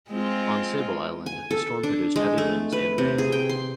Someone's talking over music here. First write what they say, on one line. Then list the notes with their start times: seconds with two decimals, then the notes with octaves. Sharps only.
On Sable Island, the storm produced heavy winds and rain.
0.10 G#3 C4 F4
1.26 G#5
1.51 A4
1.83 D4
2.16 G#3
2.38 A3
2.72 B4
2.98 C3
3.18 G#4
3.32 G5
3.49 C6